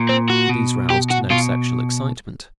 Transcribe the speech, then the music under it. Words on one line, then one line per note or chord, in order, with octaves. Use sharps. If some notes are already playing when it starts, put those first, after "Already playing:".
These roused no sexual excitement.
Already playing: A#2
C4
F#4
B2
G4
F#4
B2 F4